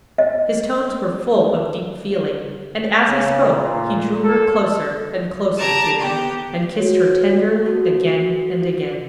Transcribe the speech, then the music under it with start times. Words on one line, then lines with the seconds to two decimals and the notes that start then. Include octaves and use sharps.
His tones were full of deep feeling, and as he spoke he drew her closer and closer to him and kissed her tenderly again and again.
0.18 D#5
3.07 C#3
3.52 A#2
4.22 A4
5.58 G4 A5 A#5 D6 G#6
5.99 B3 G4
6.76 F#4 C#5
7.66 F#4 A4